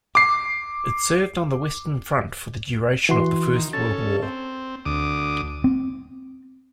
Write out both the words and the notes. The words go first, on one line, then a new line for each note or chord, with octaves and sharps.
It served on the Western Front for the duration of the First World War.
D6 C7
E3 F#4 C6
D#3
C#4 A4 A6
C4
D2 D6 D#6
C4